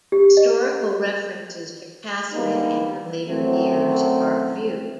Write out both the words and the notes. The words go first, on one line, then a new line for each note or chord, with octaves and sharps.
Historical references to Catherine in her later years are few.
G4
D#5
G3 G#3 A#3 B3 D#4
F#2 F#3 A3 C4